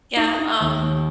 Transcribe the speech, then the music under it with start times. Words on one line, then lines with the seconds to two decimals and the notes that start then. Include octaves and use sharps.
Yeah, um
0.17 D#4
0.39 D#4
0.60 D#2
0.82 D#2